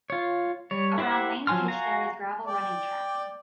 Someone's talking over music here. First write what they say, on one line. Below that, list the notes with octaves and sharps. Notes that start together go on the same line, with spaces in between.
Around main pitch there is gravel running track.
F4 C#5
G3 C#5
E4 G4 C5 E5 F#5
F3 F#3 G#5 C6 F6
F#4 F5 G#5 A#5
D5 G5